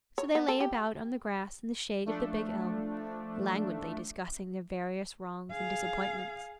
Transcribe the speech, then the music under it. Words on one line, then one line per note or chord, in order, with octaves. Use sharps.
So they lay about on the grass in the shade of the big elm, languidly discussing their various wrongs and disappointments.
C#5
B3
A4
G4
F3 A3 D4
G#4 F5